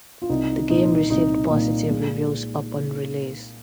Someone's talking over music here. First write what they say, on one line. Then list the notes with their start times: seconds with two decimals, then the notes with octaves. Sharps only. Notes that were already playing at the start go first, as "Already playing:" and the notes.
The game received positive reviews upon release.
0.22 F4
0.29 C2 D#4
0.70 A#2 D#4
1.10 C2 D#4
1.50 A#2
1.91 G#3